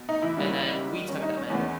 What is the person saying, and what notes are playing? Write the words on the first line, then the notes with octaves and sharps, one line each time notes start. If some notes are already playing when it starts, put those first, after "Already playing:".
and then we took them in,
Already playing: B2
D#4
E3 E4
G#2 D#3 G3 A#3
C#4
D#4
C#4
E2 D#3 G#3 B3 C#4
C#4